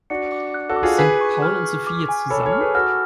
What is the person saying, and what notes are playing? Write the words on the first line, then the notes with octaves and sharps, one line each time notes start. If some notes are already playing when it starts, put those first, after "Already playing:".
Sind Paul und Sophie jetzt zusammen?
D4 F#4 C#7
D6
F#6
F#4 A4
D6
F4 G#4
G#4 B4 B6
C#6
F6
C#6
D6
G#5
A4 C#5 B5
A4 C#5
F6
G#4 B4
F#4 A4 F6